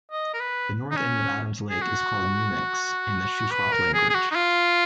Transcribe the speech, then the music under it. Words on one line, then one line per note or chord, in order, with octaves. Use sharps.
The north end of Adams Lake is called Mumix in the Shuswap language.
D#5
A#4
B4
D#4
C#4
G#4
F#4
B4
A#4
G#4
G#4
F#4
D#4
F4